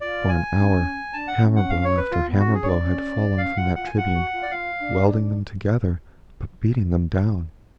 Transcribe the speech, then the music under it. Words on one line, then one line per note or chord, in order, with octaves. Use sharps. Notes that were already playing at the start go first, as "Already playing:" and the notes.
For an hour hammer-blow after hammer-blow had fallen from that tribune, welding them together but beating them down.
F4 D5
G#5
C#4
D4 A5
F#5
C#4
F#5
F5
C#5
B4
F4
B3
F#4
C#4
G#4
D4 C#5 D5
C#4
C#4 F5
F4 F#5
F4 F#5
G#5
F4 F#5
F#4
F4
D5
F4 F5
D4